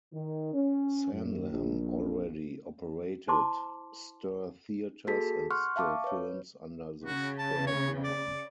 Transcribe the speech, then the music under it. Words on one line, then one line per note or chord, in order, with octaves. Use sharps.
Sanlam already operated Ster Theatres and Ster Films under the Ster brand.
D#3
C#4
F#2
A#1
E4 C5 A5 C6 D6
A#3 F#4 G#4 A4 A5 B6
F#5 C6 C#6 F6 F#6
E5 F5 A5 C#6 D6
B4 C#5
C#3 F#4
A5
C#5
D5